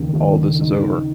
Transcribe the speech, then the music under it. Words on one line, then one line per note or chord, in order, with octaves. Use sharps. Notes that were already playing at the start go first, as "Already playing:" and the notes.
all this is over,
Already playing: D#2 C#3
D#2
C#3
D#4
D#4